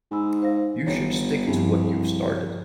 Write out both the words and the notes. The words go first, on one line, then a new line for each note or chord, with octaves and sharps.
You should stick to what you’ve started.
G#2 G#5 B5 E6
C5 F5 A#6
G1 C#5
C2 G2 F3